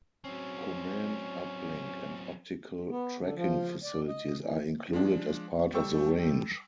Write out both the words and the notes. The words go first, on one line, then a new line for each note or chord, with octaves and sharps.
Command uplink and optical tracking facilities are included as part of the range.
F#3 C4 C#4
B3
D3
F3
D5
D#5
E3
F3 G#3 D4
G3 A4 G5 C#6 E6